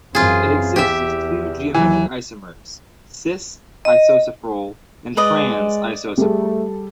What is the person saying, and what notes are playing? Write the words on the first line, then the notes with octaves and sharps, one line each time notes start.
It exists as two geometric isomers, "cis"-isosafrole and "trans"-isosafrole.
F#2 E3 C4 F4 G#4
E2 G4 E5
D#2 E3 F#3
D#5
G#3 B4 D5 D#5
G3 A3 G#4 A4